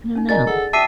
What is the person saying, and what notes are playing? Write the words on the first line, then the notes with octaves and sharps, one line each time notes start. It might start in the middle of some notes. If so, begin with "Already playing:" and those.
I don't know.
C#4 D#4
F#4 A#4 D5 D#5 G#5 A#5 A6
G#4 A4 F#5
F#4 E5 G5 A5 D6 C7 D#7